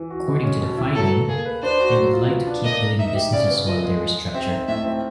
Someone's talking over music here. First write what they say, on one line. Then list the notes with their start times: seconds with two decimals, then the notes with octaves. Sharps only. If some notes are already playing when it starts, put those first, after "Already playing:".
According to the filing, they would like to keep doing business while they restructure.
Already playing: E3
0.10 F#4
0.27 G#3
0.43 C#4
0.61 B2
0.77 E4
0.95 F#3 A4
1.12 B3
1.29 A#3 G#4
1.45 B4
1.63 D4 C5
1.80 F#4
1.96 F#3
2.13 F4
2.30 B3
2.47 D4
2.65 A#3 D#5
2.81 A#4
2.99 D#4 E5
3.15 G4
3.32 C#3 D5
3.50 B3
3.66 F3 D#5
3.83 G#3
4.00 G#3
4.17 G#3
4.34 C4 E5
4.50 D#4
4.68 A2 E5
4.84 C4